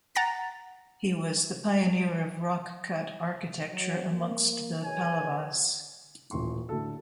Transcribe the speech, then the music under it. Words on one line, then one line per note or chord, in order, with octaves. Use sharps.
He was the pioneer of Rock-cut Architecture amongst the Pallavas.
F#5 A#5 A6 A#6
F#3
A#3
B2 G#4 C#5 G#5
D#1 A1 A2 C6 C#6
A2 D3 F#4 A4